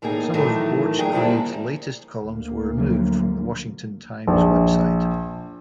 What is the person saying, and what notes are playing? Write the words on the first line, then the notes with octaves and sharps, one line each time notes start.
Some of Borchgrave's latest columns were removed from the "Washington Times" website.
D#2 A2 A#3 D#4 G#4
A2 D#3 E3 F#3 A3
D2 F#3 G#4 G5
D3 F3 G3 A#3 E4
D2 A#3
F3 F#3 D4
A#1